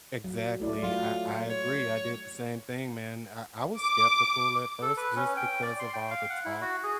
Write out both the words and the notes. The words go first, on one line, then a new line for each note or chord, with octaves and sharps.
Exactly, I I agree, I did the same thing, man, I I was skeptical at first just because of all the talk
F#3
A3 E4 D5
F#3 F4
C#5
D6
A4
B4
C#4
G5
D5
C6
G5
F5
F#5
E4
F#4
G#4